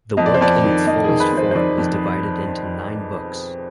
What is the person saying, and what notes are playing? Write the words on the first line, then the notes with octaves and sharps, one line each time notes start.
The work in its fullest form is divided into nine books.
F2 D#5
D5
C5
F2 D5
D#3
F2 D#5
D#3 G#4
B4
F2 C5
C5
D#3 D5
F2